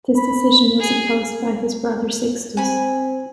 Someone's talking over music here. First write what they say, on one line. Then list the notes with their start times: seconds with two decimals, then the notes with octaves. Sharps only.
This decision was opposed by his brother Sixtus.
0.17 B5
0.80 G#4
2.57 C4 G#5 B5